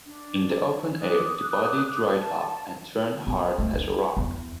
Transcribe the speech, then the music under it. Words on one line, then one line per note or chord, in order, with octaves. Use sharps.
In the open air the body dried up and turned hard as a rock.
D4
D6 D#6 F#6
A5
B3
A3
D4
E2